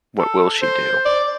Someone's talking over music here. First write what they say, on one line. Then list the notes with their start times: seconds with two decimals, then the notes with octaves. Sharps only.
What will she do?
0.18 A4
0.62 C5
1.06 D5